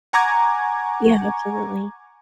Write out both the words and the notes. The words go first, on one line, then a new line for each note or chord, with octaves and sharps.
Yeah, absolutely.
F#5 G#5 A#5 C#6 D6 G#6